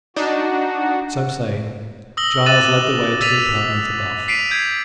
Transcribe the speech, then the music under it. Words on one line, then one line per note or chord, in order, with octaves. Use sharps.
So saying, Giles led the way to the apartment above.
D4 D#4 F#4
D#6 E6 A#6 F#7 G7
D6 F#6 A6 D#7 E7 F#7
E6 A6 B6 D#7 F7
B6 C7 D7 D#7 F7
G6 G#6